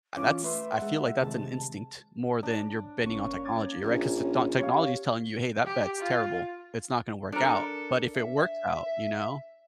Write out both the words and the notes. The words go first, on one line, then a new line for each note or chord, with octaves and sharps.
a that's I feel like that's an instinct more than you're betting on technology, right? 'Cause the techno technology's telling you, "Hey, that bet's terrible. It's not gonna work out. But if it works out" you know?
E3 C#4 F4 D6
A3 B4 E5 C6
G#3 F#5
C3 D#3 G#3 A5
D4
G1 A#3 C#4 C#6
D6 G#6 A6
A#1 C#4 D#4
G4 C#5 F5
G4
F4
D4 A4 A#4
E5